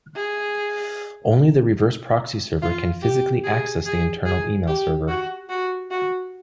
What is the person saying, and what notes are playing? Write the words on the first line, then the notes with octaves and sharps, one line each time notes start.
Only the reverse proxy server can physically access the internal email server.
G#4
F4
G4
G#4
G#4
G#4
G4
F#4
F#4
F#4